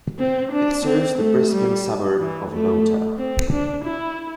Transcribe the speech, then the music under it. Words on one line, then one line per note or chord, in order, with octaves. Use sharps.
It serves the Brisbane suburb of Lota.
C4
D4
C4
A3
G3
E3
A3
C4
D4
E4